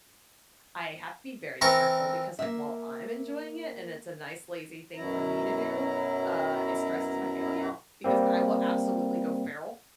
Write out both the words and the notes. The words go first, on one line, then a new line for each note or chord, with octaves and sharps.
I have to be very careful because, like, while I'm enjoying it and it's a nice, lazy thing for me to do, uh, it stresses my family out because I will absolutely go feral
E3 C4 A#4 A5 A#5 C#6
A#3 E5
F#2 B2 F#3 E4 A#5
G3 A#3 C4